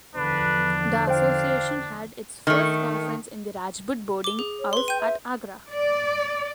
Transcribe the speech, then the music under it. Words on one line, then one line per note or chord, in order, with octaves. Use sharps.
The association had its first conference in the Rajput Boarding House at Agra.
E2 D3 F3 D4 B4
D4 C5 F5 G5
D#3 A3
D6 G7
G#4
C#5
B4 C6
G5 G6 D#7
E5
D5